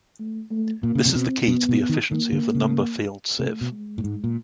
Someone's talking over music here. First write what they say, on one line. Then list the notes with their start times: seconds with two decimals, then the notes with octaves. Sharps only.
This is the key to the efficiency of the number field sieve.
0.20 A3
0.51 A3
0.83 A#2 A#3
0.95 C#3
1.06 C3
1.15 B2 C4
1.48 B2 B3
1.69 B2
1.89 D#3
2.11 D#3 A#3
2.32 D3
2.55 C#3
3.39 C3 A3
3.61 B2
3.72 G#3
3.98 A2
4.04 G#2
4.24 A#2